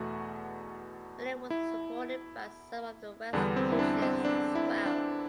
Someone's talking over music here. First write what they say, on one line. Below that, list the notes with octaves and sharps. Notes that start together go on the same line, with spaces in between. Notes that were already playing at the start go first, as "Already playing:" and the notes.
William was supported by some of the West Frisians as well.
Already playing: E2 B2 A3 F#4
E4
E2 D3 G3 B3 D4
C4
E4
D4
C4
D4
E4
D4